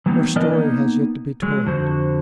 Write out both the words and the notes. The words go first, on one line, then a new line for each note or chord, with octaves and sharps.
Her story has yet to be told.
E3 F#3 G3 A#3 B3 D#4
E3 B3 D4 A#4 D5 D#5
A#3 B3 D#4
F#3 G#3
F2 D3 F3 F#4 C5